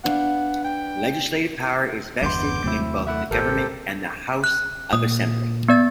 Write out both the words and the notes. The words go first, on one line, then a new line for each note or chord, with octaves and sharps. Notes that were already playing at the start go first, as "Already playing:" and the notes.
Legislative power is vested in both the government and the House of Assembly.
B3 D4 F5 F#5
G5
G1 E2 G2 G3 B3 C6 D6 G6
D#2 C3 F#3 A3 C4 E4
A3 E4 E5 F#5
G#1 B2 G4 A4 A#4 C5
F#6
A#2 D#6
B3 D5 A6